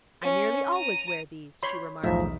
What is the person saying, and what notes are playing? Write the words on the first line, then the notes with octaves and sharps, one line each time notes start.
"I nearly always wear these," she remarked.
C#4
A#5 D#7
C#5 B5 C6
B1 E2 A2 F3 D#4 E5